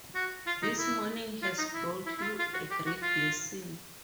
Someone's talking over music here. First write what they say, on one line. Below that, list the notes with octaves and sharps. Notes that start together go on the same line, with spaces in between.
This morning has brought you a great blessing.
F#4
F4
D#4
E4
F4
D#4
E4
E4
E4
F4
F4
F#4
G4
F#4
F4